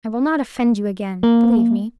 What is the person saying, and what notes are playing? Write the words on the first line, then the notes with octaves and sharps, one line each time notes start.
I will not offend you again, believe me.
A#3